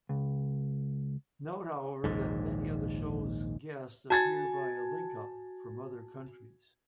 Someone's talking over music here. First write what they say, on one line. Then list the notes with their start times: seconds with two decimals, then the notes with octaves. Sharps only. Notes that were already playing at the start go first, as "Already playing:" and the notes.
Note however that many of the show's guests appear via link-up from other countries.
0.09 C#2
2.04 A#1 D#2 G#2
4.10 F#4 G#5 A5 G#6 A6